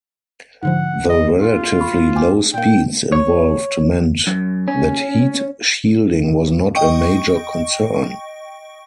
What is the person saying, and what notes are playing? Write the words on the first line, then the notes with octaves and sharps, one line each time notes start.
The relatively low speeds involved meant that heat shielding was not a major concern.
G#2 D3 F3 F#5
D#5
F4
B5 C#6
G5 G#5 D6
A#2 A#3 G5
C#5
F#2
C#4
D#5 G5 C#6